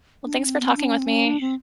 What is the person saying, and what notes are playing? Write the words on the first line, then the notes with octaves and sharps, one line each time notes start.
Well, thanks for talking with me.
D4
C4
B3
C4
D4
C#4
C4
C#4
D4
C4